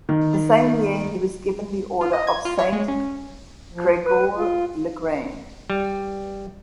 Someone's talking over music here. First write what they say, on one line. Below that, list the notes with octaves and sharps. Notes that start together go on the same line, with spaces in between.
The same year he was given the order of Saint-Grégoire-le-Grand.
D#3
F4
D#5
G#6
F4
C#5
G#3
C#4
F3
B4
F4
G3